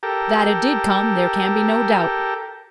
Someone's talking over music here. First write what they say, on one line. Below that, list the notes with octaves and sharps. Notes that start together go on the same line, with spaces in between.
That it did come there can be no doubt.
G4 A4 A#4